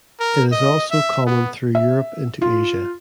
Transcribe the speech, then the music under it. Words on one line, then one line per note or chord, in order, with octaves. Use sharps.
It is also common through Europe into Asia.
A#4
D#5
E5
B3
E5
F4